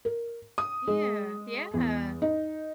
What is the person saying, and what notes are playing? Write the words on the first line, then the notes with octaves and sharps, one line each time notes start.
Yeah. Yeah,
A#4
D#6
G#3
E2
D#4